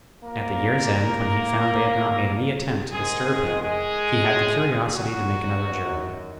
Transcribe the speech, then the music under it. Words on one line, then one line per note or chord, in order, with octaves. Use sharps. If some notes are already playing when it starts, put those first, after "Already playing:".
At the year's end, when he found they had not made any attempt to disturb him, he had the curiosity to make another journey.
A#2 F3 A#3 A#4
G#2 D#3 G#3 G#4
G#3 G#4
G#3 G#4
F#3 F#4
F#2 D#3